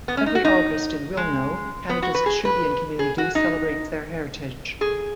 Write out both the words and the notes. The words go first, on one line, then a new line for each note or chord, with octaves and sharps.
Every August in Wilno, Canada's Kashubian community celebrates their heritage.
B3
C#4
D#4
F#4
D#4
G#3
B3
F#4
B4
G#4
B4
G#4
F#4
D#4
G#4